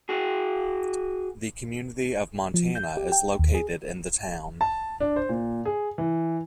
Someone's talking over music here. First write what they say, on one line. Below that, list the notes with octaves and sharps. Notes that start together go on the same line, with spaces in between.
The community of Montana is located in the town.
F#4 G#4
F3
G6
G4
G5
D#2
G#4
A5
D4
C5
A#2
G#4
E3